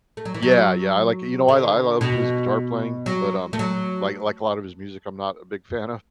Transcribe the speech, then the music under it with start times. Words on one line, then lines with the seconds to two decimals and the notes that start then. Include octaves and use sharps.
Yeah, yeah, I like it you know what? I lo love his guitar playing, but, um, like like a lot of his music, I'm not a big fan of,
0.17 A3
0.25 F#3
0.34 E3
0.43 F#3
1.48 D3
2.01 B2
3.06 F#3
3.53 A3
3.59 F#3